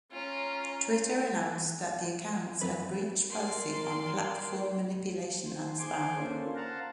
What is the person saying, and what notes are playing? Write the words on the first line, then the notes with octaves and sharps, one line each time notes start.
Twitter announced that the accounts had breached "policy on platform manipulation and spam".
C#4 F4 A#5
F#2 C4 B4
A#4 D5 C6
C5
G#4 C5 G#5 C6 D6
A#3 C#4 D4 F4 A4 C5
C5 F5 F#5 A5 A#5